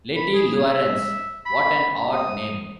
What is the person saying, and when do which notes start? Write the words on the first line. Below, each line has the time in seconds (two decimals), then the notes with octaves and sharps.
Lettie Laurence, — what an odd name!
0.16 B5
0.35 G#4
0.64 E5
1.46 B5
2.12 D#6